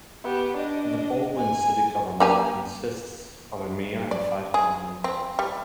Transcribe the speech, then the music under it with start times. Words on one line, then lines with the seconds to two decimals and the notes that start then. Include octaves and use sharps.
The Baldwin City government consists of a mayor and five council members.
0.24 B3 G4
0.56 D4 D#5
1.36 G#5
2.20 A#3 G4 G#5
4.11 D5
4.54 G#4
5.04 C4
5.39 G3